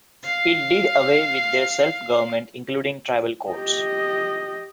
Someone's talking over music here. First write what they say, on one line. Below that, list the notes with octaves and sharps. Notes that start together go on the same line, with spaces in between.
It did away with their self-government, including tribal courts.
F5 C7
G4 D#5